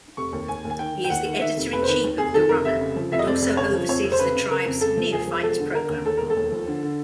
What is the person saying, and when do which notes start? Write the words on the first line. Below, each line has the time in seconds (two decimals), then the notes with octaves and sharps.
He is the editor-in-chief of "The Runner" and also oversees the tribe's Neophyte program.
0.17 F1 C#6
0.33 D#2
0.48 D#2 G#5
0.65 D#2
0.70 G#5
0.79 D#3 G5
0.94 D#3
1.05 G5
1.10 D#2 F#5
1.26 D#3
1.41 D#3 E5
1.57 F1
1.73 F1 B4
1.83 C5
1.88 D#3 B4
2.04 D#2
2.18 F1 G#4
2.34 D#3 A4
2.49 F1 A#4
2.65 F1 E5
2.81 C#3
2.96 F3
3.12 F1 E5
3.19 D#5
3.27 F2 D5
3.42 F1
3.57 C#3 C#5
3.73 F3
3.89 F2 C#5
4.04 F1
4.12 C5
4.19 C#3 B4
4.35 C#3
4.50 C#3 A#4
4.66 F2
4.81 C#3 A4
4.97 F3
5.12 E1 G#4
5.28 F3
5.43 E1 A4
5.59 D3
5.74 D3 A#4
5.89 D#2
6.06 D#2 A4
6.17 E1 A#4
6.30 A4
6.37 D#2
6.52 F3
6.68 D3
6.83 D3